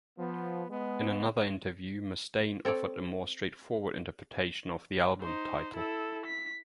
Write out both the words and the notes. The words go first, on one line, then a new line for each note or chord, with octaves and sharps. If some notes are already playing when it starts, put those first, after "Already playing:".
In another interview, Mustaine offered a more straightforward interpretation of the album title.
F3 B3
G#3 B3
C4 A4 C#5 D5
D#4 C5
E4 A4
B6